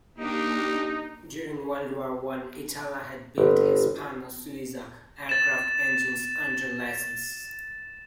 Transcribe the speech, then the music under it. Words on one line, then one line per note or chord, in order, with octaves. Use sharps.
During World War One Itala had built Hispano-Suiza aircraft engines under license.
A#3 D4 D#4 G4
G1
A6 E7